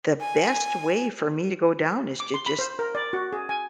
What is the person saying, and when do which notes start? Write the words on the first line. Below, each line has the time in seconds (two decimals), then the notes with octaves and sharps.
the best way for me to go down is to just
0.20 G#5
2.20 D6
2.34 C6
2.46 B5
2.59 C5
2.79 A#4
2.95 D5
3.13 F#4
3.33 G#4
3.49 G#5